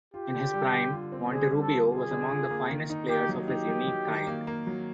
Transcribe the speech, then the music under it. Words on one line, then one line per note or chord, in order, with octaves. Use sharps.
In his prime, Monterrubio was among the finest players of his unique kind.
F4 G4
D3
G3
D3
F4
C4
D3 G#4
G3
A4
F4
F4 G#4
D3
F4
A#3
D#3
D#4
A#3 G4
F#3
G4
D#4
F#3
F#3
D#3
A#3
A#3
F#3